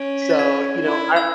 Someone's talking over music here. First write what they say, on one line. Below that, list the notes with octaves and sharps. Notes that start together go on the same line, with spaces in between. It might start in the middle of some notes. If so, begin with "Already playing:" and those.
So, you know, I
Already playing: C#4 D7
B6
A6
G#6 B6
E4
E6 G#6